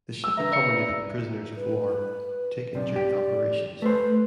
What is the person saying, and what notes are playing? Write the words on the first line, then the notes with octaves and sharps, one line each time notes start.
The ship accommodated prisoners of war taken during operations.
E6
D4 B4 E5 A#5
B4 D5 E5 C#7
B4
B1 C3 D5
G4
A3 B4 C5